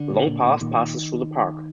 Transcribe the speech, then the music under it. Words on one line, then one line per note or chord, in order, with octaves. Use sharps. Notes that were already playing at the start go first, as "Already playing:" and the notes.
The Long Path passes through the park.
Already playing: D3
A#2
A#2
A#2
A#2 D#3
A#2